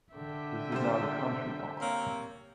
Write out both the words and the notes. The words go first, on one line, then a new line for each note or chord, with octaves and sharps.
This is now the Country Park.
D3 E5 G5
C3 G3 C5
A#3 C4 C#5